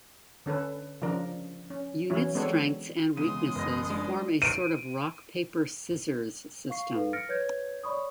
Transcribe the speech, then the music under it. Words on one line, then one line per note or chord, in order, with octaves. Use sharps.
Unit strengths and weaknesses form a sort of rock-paper-scissors system.
D3 C#4 A4 B4
C#3 F3 D4 A#4
C#4
E3 F#3 C#4 E4
G#3 B3 C4 D4 A4 C#5
E2 C#3 G#3 B3 C6 D#6 D#7
F#1 A#6
F3 G#3 D4
D7 D#7
F5 C#6 C7
A4 B4 F5
F6 A6 A#6 C#7 D7
B4 C#5 G6 G#6
C#5 D5 B5 C#6 D#6